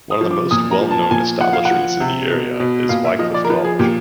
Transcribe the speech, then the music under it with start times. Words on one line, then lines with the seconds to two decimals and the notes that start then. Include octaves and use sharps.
One of the most well known establishments in the area is Wycliffe College.
0.11 D#6
0.21 F3
0.31 D6
0.51 A#2 D#6
0.71 A#5
0.81 F3
0.91 A5
1.02 A5
1.11 A#2 G#5
1.41 F3 F#5
1.53 F5
1.65 F#5
1.71 F3
2.00 C3
2.30 B2
2.60 B2
2.89 A#2 F5
3.05 E5
3.19 F3 D#5
3.34 D5
3.45 A#4
3.50 F3 B4
3.64 G#4
3.79 A#2 G4